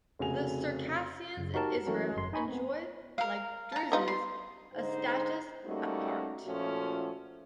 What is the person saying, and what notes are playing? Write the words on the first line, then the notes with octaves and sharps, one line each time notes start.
The Circassians in Israel enjoy, like Druzes, a "status aparte".
F1 C#3 F#4 G#5 F7
F#2 C#3
D#4 F#4 G4 A#4 A5
E3 F#3 A3 C#4 F#4 A#4
G1 F#2 C6
D#4 D#5 G#5 B5 C#6
B3 C4
A#4 F5
A5 A#5
B3 D#4 F4
C6
G#2 D3 D#4 C5
G3 A3 A#3 C#4 D#4 F#4
A#2 F3 A3 C#4 F#4